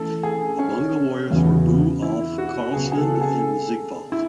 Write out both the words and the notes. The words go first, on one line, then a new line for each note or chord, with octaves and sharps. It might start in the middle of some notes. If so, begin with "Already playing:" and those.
Among the warriors were Bue, Ulf, Karlsevne and Sigvald.
Already playing: E3 A3 C#4 A4
G#4
C#4
E2 C#3 E3 B3 F#4
E4
F#4
C#3 F#3 B3 G#4
G#4
A4
A4
G#4
E4